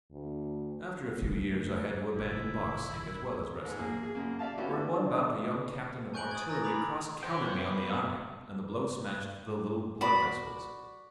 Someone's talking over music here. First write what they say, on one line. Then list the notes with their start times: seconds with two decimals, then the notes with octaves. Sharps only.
After a few years I had to abandon boxing as well as wrestling, for in one bout a young captain of artillery cross-countered me on the eye, and the blow smashed the little blood-vessels.
0.11 D2
1.22 C#3 A3
2.14 F#1 B1 A#2 D3 F3 E4
3.65 G#2
3.79 A#3 G#4
4.03 G#4
4.15 F#2 C#3 A#3
4.39 D5 E5 F5 A5
4.58 A3 B3 C#4 E4 F#4 G4
4.98 D4
6.14 G#5 C#6 F#6 G6 D7 F#7
6.31 D#6 G#6
6.48 G#5 A#5 E6 A6 A#6
6.64 A#5 B5 D6 F7
7.23 B3 C5 C#5 G5 A#6
10.01 F#4 D5 B5